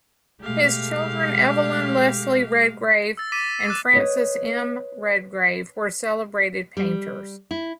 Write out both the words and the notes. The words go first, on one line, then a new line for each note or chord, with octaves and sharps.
His children Evelyn Leslie Redgrave and Frances M Redgrave were celebrated painters.
B2 G#3 A3 G4 F5
E6 A6
D6 A6 B6 D#7 E7
D6 E6 F#6 A6 E7
B4 C#5 D#5
G3
E4